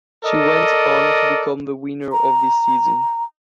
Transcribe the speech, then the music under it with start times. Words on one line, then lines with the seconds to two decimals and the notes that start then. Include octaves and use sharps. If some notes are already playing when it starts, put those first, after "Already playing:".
She went on to become the winner of this season.
0.25 A4 A#4 D5 D#5
2.12 A#5